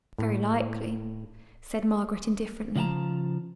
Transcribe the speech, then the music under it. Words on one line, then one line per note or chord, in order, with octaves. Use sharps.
'Very likely,' said Margaret, indifferently.
A2
C#3 F3 F#5 A5 A#5